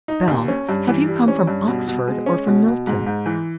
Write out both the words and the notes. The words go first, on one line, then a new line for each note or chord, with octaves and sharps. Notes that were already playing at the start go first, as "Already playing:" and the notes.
Bell--have you come from Oxford or from Milton?'
D#4
D#2
C#4
G2
E3
G3
C#4
G2
B2
B2
G#3
C#4
B2
B2
G#2
G#2
E3